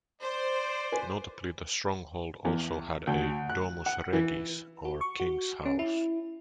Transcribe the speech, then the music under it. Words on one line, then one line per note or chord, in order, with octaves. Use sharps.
Notably, the stronghold also had a "domus regis" or king's house.
C5 D5
B4 G#5
E2
D2
F#6
F#5
E3
F#4
C#6
F#4
C#4
E4